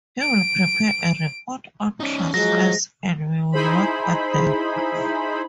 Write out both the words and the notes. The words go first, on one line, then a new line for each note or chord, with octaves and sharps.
He will prepare a report on transfers and we will work on them.
D7
C#4 D#4
F3 F#3 G#3 A#6
D#4 E4 G#4 C5 B5